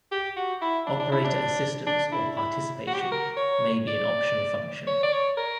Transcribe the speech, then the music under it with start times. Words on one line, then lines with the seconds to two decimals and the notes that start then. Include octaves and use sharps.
Operator assistance or participation may be an optional function.
0.12 G4
0.37 F#4
0.62 E4
0.87 D4
1.00 D4
1.12 E4
1.24 D4
1.87 D4
2.12 E4
2.37 E4
2.87 F#4
2.94 G4
3.01 F#4
3.12 A#4
3.37 C#5
3.87 D5
4.87 C#5
5.03 D5
5.13 C#5
5.37 A#4